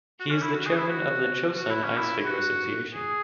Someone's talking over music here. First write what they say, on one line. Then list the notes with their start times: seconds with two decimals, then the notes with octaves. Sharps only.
He is the chairman of the Chosun Ice Figure Association.
0.20 F#4
0.31 C#4
0.42 E4
0.54 F#4
0.66 G#4
0.77 E4
0.89 F#4
1.57 F#4
1.71 E4
1.83 C#4
1.97 E4
2.25 F#4
2.94 G#4